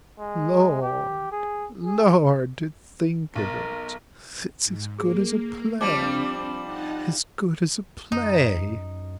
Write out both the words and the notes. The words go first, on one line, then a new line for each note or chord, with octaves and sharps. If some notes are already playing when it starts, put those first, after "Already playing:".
Lord, Lord!--to think of it; it's as good as a play--as good as a play!'
G#3
G4
G#4
G#4
B1 A#4 A6
G#2
A#3 G#4
F3 G3 C4 D4 D6
D#4 F#5 A5
F#2 D#4